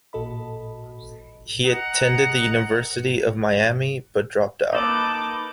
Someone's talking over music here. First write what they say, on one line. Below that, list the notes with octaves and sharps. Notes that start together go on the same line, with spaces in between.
He attended the University of Miami but dropped out.
A1 A#2 F#4 A4 D#5 B5
D#5 F#5 A#5
A#3 D#4 A4 B4 D6